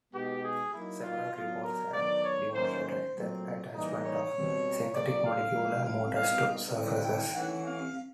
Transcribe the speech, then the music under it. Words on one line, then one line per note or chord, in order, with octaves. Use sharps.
Several reports have demonstrated the attachment of synthetic molecular motors to surfaces.
B2 G#3 B3 D#4 G4
G#4
F#3 A#3 D#4 E4
F4
F#3 B3 D4 F4
A#4
D#3 F#3 B3 D4 D5
C#5
D#3 F#3 A#3 C#4 C5
C5
A#2 F#3 A3 C4
E3 G3 A#3 D#4
C#5
B2 G3 C4
C#3 F#3 A#3 D5
F5
A#2 F3 G#3 C#4 E4
F5
A#2 G3 B3 D#4 F5
D3 G3 C4 E4
G5
E3 A3 C#4 E4 F#5
F5